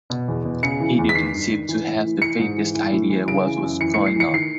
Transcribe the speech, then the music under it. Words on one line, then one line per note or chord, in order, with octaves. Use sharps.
He didn't seem to have the faintest idea what was going on.
B2
E2
B2
C#3 C#7
E3
E2
B6
D#3 C7
G2
D#3
E3
A2
E3
E3 C#7
G#2
E3
E3
A2
E3
C#3 D7
E3
F#2
E3 C#7
A2 C#7
C7
E3 C#7
D#3 C7